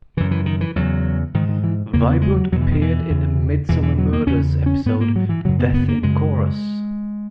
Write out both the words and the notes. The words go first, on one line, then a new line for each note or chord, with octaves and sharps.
Vibert appeared in the "Midsomer Murders" episode "Death in Chorus".
F#2 C#3 E3
E3
D#3
E3
E2 C#3 F#3
G#2 D#3
D#3
E3
E2 C#3 A#3
B3
G#3
F#3
E2 B2 F#3
E3
D#3
E3
E2 C#3
E2 B2 E3
E3
F#3
A#3
E2 C#3 C#4
C#4
G#2 B3
A#3
F#3
E3
F#2 C#3 F#3
B3
B3
A#3
F#2 C#3 G#3